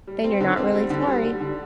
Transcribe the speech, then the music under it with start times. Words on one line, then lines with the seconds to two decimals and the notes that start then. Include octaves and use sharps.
Then you're not really sorry.
0.07 G3
0.24 C4
0.41 D3
0.57 C4
0.74 G3
0.90 D3
1.08 G3
1.25 G3
1.40 D3